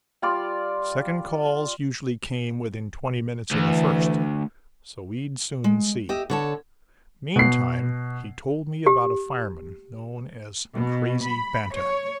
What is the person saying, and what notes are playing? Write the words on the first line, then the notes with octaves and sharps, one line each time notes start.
Second calls usually came within twenty minutes of the first, so we'd soon see. Meantime, he told me about a fireman known as "Crazy" Banta.
G3 F4 D5
D2 E3
G#3
G4 D#5 E5
D3 C#5 A5
B2 C7
G4
B2
B5
C#5